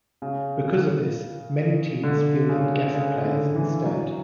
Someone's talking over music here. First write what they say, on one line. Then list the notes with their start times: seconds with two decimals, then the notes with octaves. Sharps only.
Because of this many teams fielded guest players instead.
0.22 C#3
2.04 D3
2.49 C#3
2.95 C#3
3.25 D3
3.56 E3
3.86 F#3